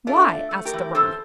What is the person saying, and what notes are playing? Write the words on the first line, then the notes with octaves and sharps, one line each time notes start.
'Why?' asked the ranee.
A3 D4 F4
A3
A3
G4 A#4
E3
E3 A4 C5